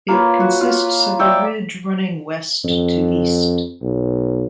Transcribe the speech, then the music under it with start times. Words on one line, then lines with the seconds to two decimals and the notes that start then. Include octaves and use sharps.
It consists of a ridge running west to east.
0.08 A#3 F4 B4 C#5
0.40 F#4
0.61 F4
1.19 C#5 D5 E5 G5
2.65 F2
3.82 B1